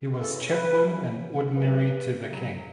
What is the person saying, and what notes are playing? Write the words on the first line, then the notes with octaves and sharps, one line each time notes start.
He was Chaplain in Ordinary to the King.
F#2 C#3 E3 A4
B4
F#2 C#3 E3
F#2 C#3 F#3 B4
F#2 C#3 F#3